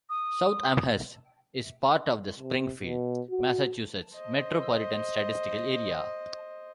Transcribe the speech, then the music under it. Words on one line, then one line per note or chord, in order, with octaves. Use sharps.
South Amherst is part of the Springfield, Massachusetts Metropolitan Statistical Area.
D#6
C3
B2
F#4
C5 D#5